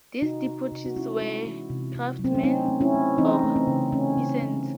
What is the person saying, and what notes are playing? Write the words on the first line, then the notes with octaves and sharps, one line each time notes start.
These deportees were craftsmen or peasants.
C3 D#4 F#4
C3
C3
F#4
G#3 C#4 E4
G#3
E3
C3
C3
F#3
C4
C#4
A3 C4 D#4
A3
C#4 E4
A3
E3 C4 D#4
A3
C4
C#3
A3 C#4
C#3
C#3